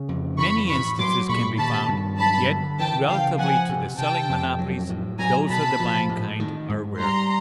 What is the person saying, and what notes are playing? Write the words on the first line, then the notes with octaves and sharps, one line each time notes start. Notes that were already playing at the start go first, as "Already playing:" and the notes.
Many instances can be found, yet, relatively to the selling monopolies, those of the buying kind are rare.
Already playing: C#3
F2
E3 B5 C#6
A2 B5 C#6
F#3 C6 D6
A#2 B5 C#6
D#3 A5 B5
G2
F#3 A5 B5
D3
E3 G5 A5
C#3 F5 G5
F3 F#5 G#5
C3
C3 G5 A5
F2
F#3
A2
F#3 G#5 A#5
B2 A5 B5
F3
A2
D#3
G#2
G3 A#5 C6